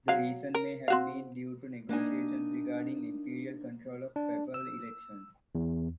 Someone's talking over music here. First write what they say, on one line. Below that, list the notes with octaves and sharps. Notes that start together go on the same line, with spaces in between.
The reason may have been due to negotiations regarding imperial control of papal elections.
F#3 F5
A#4
C4 F#4 F5
A#3 D4 D#4 G#5
D4
E6
E2